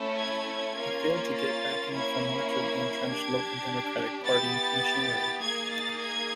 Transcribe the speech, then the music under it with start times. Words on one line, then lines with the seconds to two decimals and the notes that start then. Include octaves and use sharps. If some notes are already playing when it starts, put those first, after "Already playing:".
He failed to get backing from much of the entrenched local Democratic Party machinery.
Already playing: A3 C#4 E4 A4
0.18 G#6
0.77 A#3 C#4 F4
1.34 A6
1.93 A#3 C#4 E4 G#6
2.52 G#6
3.10 D4 G4
4.25 B3 E4 G4 A6
5.42 A#3 D#4 G#4 G#6
5.72 A6
6.01 G#6